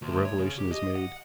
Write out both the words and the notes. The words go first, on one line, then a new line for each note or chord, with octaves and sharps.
The revelation is made.
D2
C#5
C#3
G4
D#5
F#5